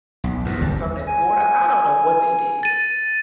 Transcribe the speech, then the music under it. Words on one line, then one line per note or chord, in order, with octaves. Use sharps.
if it was something in the water, I don't know what they did,
B1
E2 G#2
G1 D#2 G3
G#5
A6 D#7